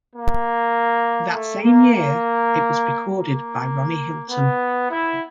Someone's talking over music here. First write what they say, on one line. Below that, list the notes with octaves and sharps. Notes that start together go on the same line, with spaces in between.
That same year it was recorded by Ronnie Hilton.
A#3
A3
A#3
A#3
A#3
B3
E4